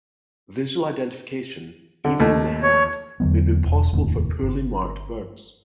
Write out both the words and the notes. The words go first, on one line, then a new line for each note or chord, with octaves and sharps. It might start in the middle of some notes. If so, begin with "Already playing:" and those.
Visual identification, even in the hand, may be impossible for poorly marked birds.
D3
D#2 A3
C#5
E2 D3 F#3 B3
E1
F1 D#2 A2 C3
G1